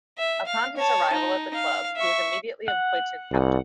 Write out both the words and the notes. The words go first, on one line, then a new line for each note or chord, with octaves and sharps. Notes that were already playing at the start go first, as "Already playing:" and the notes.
Upon his arrival at the club, he was immediately appointed captain.
E5
F5
C#5 A5
D#4
F5
E5 C#6
F#5
C2